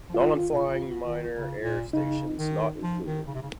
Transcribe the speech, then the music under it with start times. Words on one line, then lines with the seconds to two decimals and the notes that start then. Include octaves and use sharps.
Non-flying minor Air Stations not included.
0.09 F3
0.14 D#3 F4
0.52 C3
0.60 C#3
1.04 D#3
1.34 C#3
1.64 A#2
1.93 C#3 D#4
2.38 D#3
2.83 F3
3.05 D#3
3.27 C#3
3.34 C3
3.42 C#3